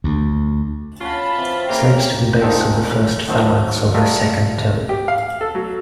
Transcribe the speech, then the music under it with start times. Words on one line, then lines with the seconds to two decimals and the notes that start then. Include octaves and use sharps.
Slips to the base of the first phalanx of the second toe.
0.04 D2
1.01 C#4 F4 F#4 A5 B5
1.38 E3 C4
1.69 C#3 E3 A#3 G5 A#5
2.41 G#1 A#2 D#3 C4 A4 G5
3.28 D#3 F#3 A3 C4
3.94 G3 A3 F4 A#4 D#5 E5
4.89 G4
5.08 F5
5.41 A4
5.55 F#3